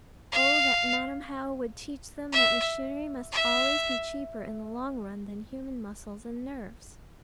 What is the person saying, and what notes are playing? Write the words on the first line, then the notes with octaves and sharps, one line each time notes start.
Oh that Madam How would teach them that machinery must always be cheaper in the long run than human muscles and nerves!
F5
E5
E5